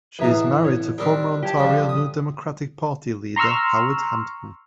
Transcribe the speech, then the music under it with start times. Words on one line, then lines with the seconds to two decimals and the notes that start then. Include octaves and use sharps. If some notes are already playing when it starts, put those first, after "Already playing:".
She is married to former Ontario New Democratic Party leader Howard Hampton.
0.19 A1 B2 G#4 E5 A5 A#5
0.64 C#5
0.98 G3 C4 D4 A#4
1.43 G4 C#5 A5
1.57 D3 F3 G3
1.89 D#6
3.36 A#5 C6 C#6 E6 F6